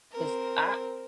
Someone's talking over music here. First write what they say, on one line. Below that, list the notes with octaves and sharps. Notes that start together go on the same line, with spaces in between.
'Cause I
C4 A#4